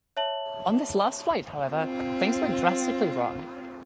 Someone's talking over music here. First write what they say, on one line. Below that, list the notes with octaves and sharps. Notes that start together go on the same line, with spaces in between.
On this last flight, however, things went drastically wrong.
C#5 E5 A5 F#7
C4 F4